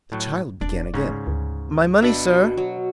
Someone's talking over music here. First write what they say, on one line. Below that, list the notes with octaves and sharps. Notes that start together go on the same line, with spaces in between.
The child began again, "My money, sir."
A2 F#3
E1 D4 D5
G#2 C#3 C#4
D2
B2 D4 E5 B5
F#3